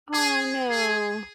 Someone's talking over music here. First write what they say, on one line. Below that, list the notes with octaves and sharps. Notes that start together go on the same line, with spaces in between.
Oh, no.
G#4
G#4